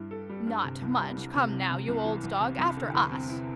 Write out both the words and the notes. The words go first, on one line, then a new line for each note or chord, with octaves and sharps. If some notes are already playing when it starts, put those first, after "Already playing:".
"Not much, come now, you old dog, after us!"
Already playing: G2 G3 E4
A4
G3
G2
C3
C2
G3
C2
C3
C2
C3
C2
E3
C2
C3
C2
D3
E2
C4
E4